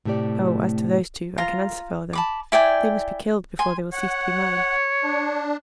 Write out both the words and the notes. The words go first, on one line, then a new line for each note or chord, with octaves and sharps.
"Oh, as to those two, I can answer for them; they must be killed before they will cease to be mine."
A2 C3 A3 G4 D5
F4 A#5
A5 B5 D6
E4 D5 G5 G#5
G#5 C6
C#5 F#5
D4